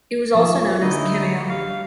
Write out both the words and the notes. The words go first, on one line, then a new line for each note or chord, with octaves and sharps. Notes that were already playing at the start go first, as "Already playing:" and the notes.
It was also known as "Kemaon".
D#3 F3 G#4 A5
D#3 E3 A3 F4 B4 C#5
D3 F#3 G3 D#4 E4 D#5
G3 F5